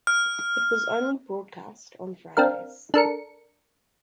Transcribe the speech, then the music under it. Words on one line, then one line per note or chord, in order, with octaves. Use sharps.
It was only broadcast on Fridays.
F6
C4 D4 A#4 F5
D4 A4 A#4 C#7